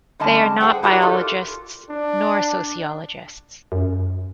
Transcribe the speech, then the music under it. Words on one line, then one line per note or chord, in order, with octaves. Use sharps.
They are not biologists nor sociologists.
D3 G3 C4 C#4 D#5 A5
G#4 C5 F#5 G5
E4 F#4 G4 A4 A#4 D5
F4 A4 A#4
D4
F#2